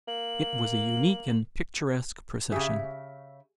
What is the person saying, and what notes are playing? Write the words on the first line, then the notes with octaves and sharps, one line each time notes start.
It was a unique and picturesque procession.
A#3 F#7
C#3 G4 G#4 E5